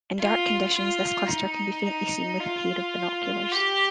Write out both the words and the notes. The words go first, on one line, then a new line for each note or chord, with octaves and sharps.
In dark conditions this cluster can be faintly seen with a pair of binoculars.
F4
F4
D#4
D#4
F4
G4